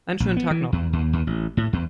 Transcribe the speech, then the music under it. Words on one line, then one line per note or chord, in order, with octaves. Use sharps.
Einen schönen Tag noch!
A#1
B3
E3
E2
D#2
D#2
A1
A2
E2